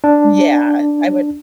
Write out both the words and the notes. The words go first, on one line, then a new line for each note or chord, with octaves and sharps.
Yeah, I would
D4